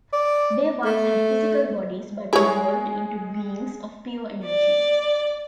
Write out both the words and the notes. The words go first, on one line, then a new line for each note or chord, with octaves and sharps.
They once had physical bodies, but evolved into beings of pure energy.
D5
A3
G#3 E4 G#4 C#5
D5